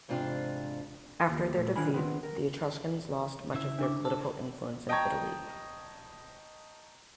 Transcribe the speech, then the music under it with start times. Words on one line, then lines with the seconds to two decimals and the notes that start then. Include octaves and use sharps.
After their defeat, the Etruscans lost much of their political influence in Italy.
0.08 E2 G#2 C3 D4 F4
1.29 D#2
1.56 A#2 A3
1.76 D#3 D4 F4 G#5 B5
1.94 D#3 B3 C4 D4 B4
2.23 A#4
3.54 C#3 E4 E5
3.79 D4 D6
4.05 A4
4.89 D#5 G5 A5 A#5 C#6 G#6